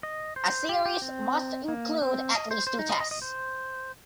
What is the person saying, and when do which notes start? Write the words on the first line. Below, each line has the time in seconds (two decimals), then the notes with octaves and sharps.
A series must include at least two Tests.
0.03 D#5
0.36 C5
0.69 G4
0.86 G4
1.02 C4
1.68 A#3
2.02 C4
2.35 D#5
2.51 C5
2.67 C5
2.79 D#4
2.89 D#5
3.00 D#5
3.11 D#5
3.22 C5